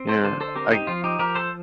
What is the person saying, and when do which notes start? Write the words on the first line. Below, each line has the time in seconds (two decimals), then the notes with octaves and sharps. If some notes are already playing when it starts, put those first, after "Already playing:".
Yeah, I
Already playing: C4
0.09 A4 C5
0.24 D3 A4 C5
0.41 A4 C5
0.55 C4 G4 A#4
0.71 D#4 G4
0.87 F3 F4
1.04 D#4 G4
1.19 F3 G4 A#4
1.35 A4 C5